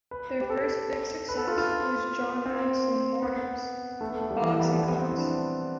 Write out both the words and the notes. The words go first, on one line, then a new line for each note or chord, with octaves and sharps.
Their first big success was John Maddison Morton's "Box and Cox".
B4
G4
A4
B4
A4
F4
F4
C4
B3
A3
B3
A3
G3
E3
G3
B3
F3
G3
B3
C4
E4
D4